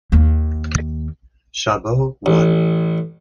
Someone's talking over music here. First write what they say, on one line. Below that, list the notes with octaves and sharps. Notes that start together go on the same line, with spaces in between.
Chabot won.
D#2 A#3
A1